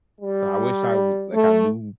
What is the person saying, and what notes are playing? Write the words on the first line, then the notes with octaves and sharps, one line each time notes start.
So, I wish I would like, I knew
G3
A3